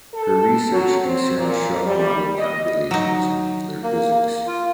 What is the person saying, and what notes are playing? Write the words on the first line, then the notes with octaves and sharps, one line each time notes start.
Her research concerned shell model calculations in nuclear physics.
A4
F#3
C4
A#2
G3
D#5
F#3 D#4
A#3
A#3
F4